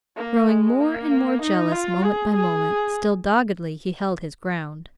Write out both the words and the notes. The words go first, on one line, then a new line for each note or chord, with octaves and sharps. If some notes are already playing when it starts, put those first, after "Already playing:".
Growing more and more jealous moment by moment, still doggedly he held his ground.
A#3
G#3
A#3
D#4
F4
G#4
G#4